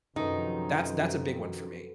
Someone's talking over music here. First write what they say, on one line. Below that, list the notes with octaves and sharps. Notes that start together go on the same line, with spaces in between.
That's that's a big one for me.
F#2 C3 D#3 F3 D#4 F#4 A4 B4